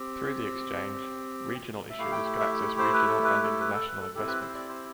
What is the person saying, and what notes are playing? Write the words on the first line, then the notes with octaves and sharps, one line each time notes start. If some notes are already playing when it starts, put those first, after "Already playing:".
Through the exchange, regional issuers can access regional and international investment.
Already playing: C4 G4
E5
A3 E4 G4 F5
G5
E5
C5
B4
A4
B4
A4
B4
A4
B4
A4
C4 E4 G4 A4
B4
C5
D5
C5